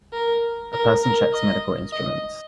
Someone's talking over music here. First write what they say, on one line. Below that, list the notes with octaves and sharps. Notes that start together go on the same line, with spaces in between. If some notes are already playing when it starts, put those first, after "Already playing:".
A person checks medical instruments.
A#4
A#4
A#4
D#5
D#5